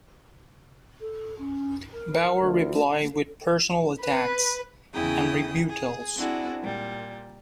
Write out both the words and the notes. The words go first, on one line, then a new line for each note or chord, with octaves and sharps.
Bower replied with personal attacks and rebuttals.
A4
C#4
A#4
D2
B4
E2 C#3 E4 G#4 G5 D#6
G#4
C4 D4 E4 F#4 G#4
A#2 G3